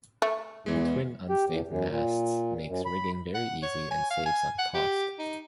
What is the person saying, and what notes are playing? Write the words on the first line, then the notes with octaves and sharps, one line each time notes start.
The twin unstayed masts makes rigging very easy and saves on cost.
A3
E2 E3 G#3
G4
E2
F#2
A#2
F#2
B5
F#5
C#5
G#5
F5
G#5
F#5
G4
D#4